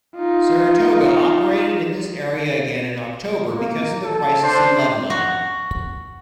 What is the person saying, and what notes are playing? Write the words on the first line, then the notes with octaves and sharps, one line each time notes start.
"Saratoga" operated in this area again in October because of the crisis in Lebanon.
D#4 F4
A#3
A4
D4 C5
F#4